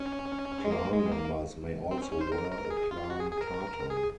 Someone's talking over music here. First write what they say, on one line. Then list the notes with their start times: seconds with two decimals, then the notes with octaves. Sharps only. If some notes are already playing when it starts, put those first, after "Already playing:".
Clan members may also wear a clan tartan.
Already playing: C#4
0.64 G#3
0.72 A#3
0.93 G#3
1.12 A#3
1.91 C4
2.02 C#4
2.12 C#4
2.21 C5
2.32 A#4
2.52 A#4
2.70 G#4
2.91 F4
3.10 F#4
3.20 G#4
3.31 G#4
3.41 A#4
3.90 G#4